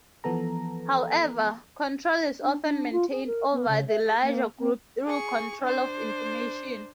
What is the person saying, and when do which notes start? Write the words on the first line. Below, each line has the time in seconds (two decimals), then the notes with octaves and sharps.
However, control is often maintained over the larger group through control of information.
0.24 E3 F3 B3 A4 A#5
2.41 D4
2.64 D4
2.92 F4
3.11 G#4
3.26 A#4
3.52 B3
3.68 C#3
3.88 E5
4.05 G#4
4.23 A#3
4.59 C4
5.05 G#4 C#6
5.62 D4 C5